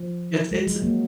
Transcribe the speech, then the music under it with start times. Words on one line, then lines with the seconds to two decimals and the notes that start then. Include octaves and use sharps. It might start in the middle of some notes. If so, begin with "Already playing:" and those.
it's it's
Already playing: F3
0.51 G#3
0.67 F#3
0.82 F#3 A#3